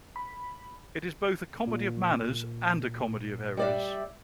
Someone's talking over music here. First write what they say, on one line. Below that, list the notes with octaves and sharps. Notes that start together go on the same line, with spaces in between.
It is both a comedy of manners and a comedy of errors.
B5
A#2
G3 D5 E5